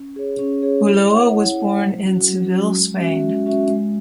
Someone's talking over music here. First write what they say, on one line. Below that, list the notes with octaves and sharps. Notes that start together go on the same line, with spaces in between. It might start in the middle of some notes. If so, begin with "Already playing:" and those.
Ulloa was born in Seville, Spain.
Already playing: C#4
G#4 C#5
C#4
G#4 C#5
E4
C#5 F#5
E4
C#5 F#5
F#3
C#4 F#4
F#3
C#4 F#4
G#3
C#4 F#4 E5
G#3
C#4 F#4 E5
G#3